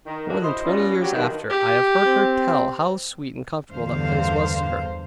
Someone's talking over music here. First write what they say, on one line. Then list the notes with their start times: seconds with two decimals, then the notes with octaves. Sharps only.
More than twenty years after, I have heard her tell how sweet and comfortable that place was to her.
0.06 D#3
0.28 A2 D3 F#3 A#3 F#4
0.43 E4 C5 D#5
0.65 A#2 F3 G3 B3 C#4 F4
1.02 F#3 G4
1.14 G2 A#2 D#3
1.50 G4
2.06 C4
3.72 E2 G2 D3 C5 F5